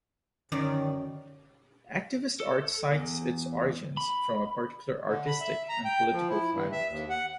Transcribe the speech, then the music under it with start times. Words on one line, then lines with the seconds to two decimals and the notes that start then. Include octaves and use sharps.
Activist art cites its origins from a particular artistic and political climate.
0.52 F#2 D3 D#3 D5
2.40 A4
2.92 E2
3.97 B5
5.06 D3
5.27 B5
5.41 E5
5.69 A#5
5.85 G5
6.12 F3
6.30 E4
6.52 G2
6.72 E5
6.88 D#2
7.10 F#5